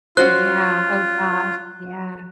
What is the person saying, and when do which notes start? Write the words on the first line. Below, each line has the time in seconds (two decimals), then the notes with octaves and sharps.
Yeah, oh, gosh, yeah.
0.17 C#4 F4 F#4 C5 F#6